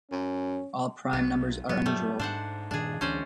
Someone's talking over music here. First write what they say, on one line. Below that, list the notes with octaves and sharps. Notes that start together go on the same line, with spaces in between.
All prime numbers are unusual.
F#2 C#4
B1 B3
G2 F#3 B3
G3 A3
G#2 D4 C5 F#5
G2 A#2 D#3 D4 G#4
D2 E3 C#4 D4 C5 D5